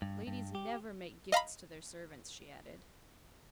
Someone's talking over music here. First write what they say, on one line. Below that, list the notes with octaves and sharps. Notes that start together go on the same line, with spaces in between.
"Ladies never make gifts to their servants," she added.
G2
G2
G4
D#5 F5 A#5 B5